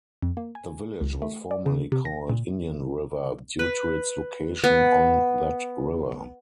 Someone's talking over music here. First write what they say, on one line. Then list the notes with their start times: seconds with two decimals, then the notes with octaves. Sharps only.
The village was formerly called "Indian River" due to its location on that river.
0.22 F2
0.37 A#3
0.55 G#5
1.01 C#2
1.22 A3
1.51 D5
1.66 C#3
1.92 C3
2.05 A#6
2.30 A#2
3.59 B4
4.64 B3